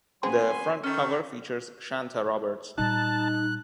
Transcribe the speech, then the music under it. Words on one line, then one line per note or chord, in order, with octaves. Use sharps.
The front cover features Shantha Roberts.
C#3 F#3 B3 C4 G#4 G#5 C6
D#3 C#4 A4
A#2 G3 D#4 A5 F#6